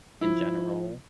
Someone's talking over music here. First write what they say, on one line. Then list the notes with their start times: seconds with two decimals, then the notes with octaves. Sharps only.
in general.
0.21 F3 E4